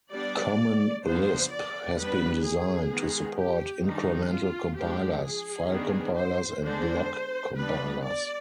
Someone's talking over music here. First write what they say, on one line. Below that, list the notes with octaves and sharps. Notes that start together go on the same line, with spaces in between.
Common Lisp has been designed to support incremental compilers, file compilers and block compilers.
G3 B3 D4 D5
F3 B3 D4 C5
D5
G3 B3 D4 B4
G#4
D#3 G#3 B3
G4
D#3 G3 D4 D#4
F4
F3 G#3 D4 G4
G#4
D#3 B3 D4
C5
D3 G#3 B3 D4 C5
G3 B3 D4 B4
D5